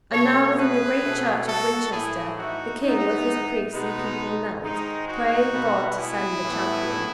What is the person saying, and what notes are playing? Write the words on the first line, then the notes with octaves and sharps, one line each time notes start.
And now within the great church of Winchester the King with his priests and people knelt, praying God to send a champion.
B2 A3 A4 C#5
G#4 B4
B2 A3
F#4 A4
A2 E3 A3 E4 G#4
D#4 F#4
G#2 E3 B3 D#4
B2 G#3 B3 D#4
G#2 D#3 G#3 D#4
D#4 F#4
B2 G#3 B3
E4 G#4
A2 E3 B3